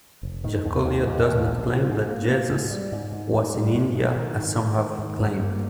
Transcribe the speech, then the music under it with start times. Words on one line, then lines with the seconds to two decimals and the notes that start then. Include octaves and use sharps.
Jacolliot does not claim that Jesus was in India as some have claimed.
0.23 F1
0.44 D#3
0.65 D#2
0.85 D#2
1.07 D#2
1.27 D#2
1.47 A#1
1.68 F3
1.89 G#2
2.09 A#3
2.30 A#3
2.51 G#2
2.71 G3
2.92 G#2
3.12 G#2
3.33 G#2
3.54 G3
3.75 G#2
3.95 G#3
4.16 D#3
4.36 G#2
4.57 G#3
4.78 D#3
4.98 G#2
5.19 G2
5.40 A#3